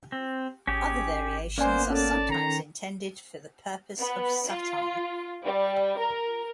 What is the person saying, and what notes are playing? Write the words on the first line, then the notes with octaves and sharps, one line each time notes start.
Other variations are sometimes intended for the purpose of satire.
C4
G#1 C#4 G4 G#4
A#3 B3 C#4 C5 D5 G#5
C#4 A4 D5 A5
D#3 A#5
B3
F4
G3
A#4